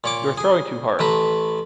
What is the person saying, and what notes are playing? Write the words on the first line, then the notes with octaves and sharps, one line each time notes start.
You are throwing too hard!
A#2 C#5 D6
G#4
A1 A3 B4 A#5